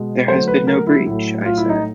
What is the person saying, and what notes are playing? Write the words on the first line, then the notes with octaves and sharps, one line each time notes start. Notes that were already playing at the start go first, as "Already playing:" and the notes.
"There has been no breach," I said.
Already playing: B2 G#3
D3 F#3 A3 C5
B4
A#4
E4
A2 F#3 A3 E4
F4
E4
D#4